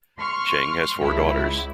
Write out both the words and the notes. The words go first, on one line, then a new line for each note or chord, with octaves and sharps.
Cheng has four daughters.
C6 C#6 F6
C#2 E4